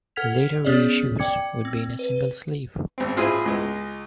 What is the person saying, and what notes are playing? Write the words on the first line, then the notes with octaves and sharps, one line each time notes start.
Later reissues would be in a single sleeve.
A4 F#5 F6 G#6 B6 F7
B3 C#4 G#4 C#5 D5
D5 G5 D6 G#6 C#7
C4
B4
G#1 C4
A2 F4 G#4 C5 G#5
C#2 G#3